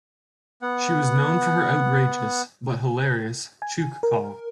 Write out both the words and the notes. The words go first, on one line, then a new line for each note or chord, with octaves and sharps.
She was known for her outrageous, but hilarious "Chook Call".
B3 F#5
G#5
A#4